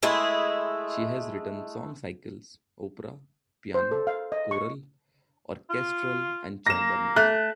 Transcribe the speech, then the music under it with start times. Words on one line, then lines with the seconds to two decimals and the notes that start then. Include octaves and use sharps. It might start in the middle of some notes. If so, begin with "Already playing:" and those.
She has written song cycles, opera, piano, choral, orchestral and chamber music.
0.03 G#3 A3 E4 G#4
3.74 C5
3.91 A4
4.07 F5
4.32 D#5
4.51 C#6
5.70 F4
6.67 A#3 A#6 E7
7.16 A3 F#6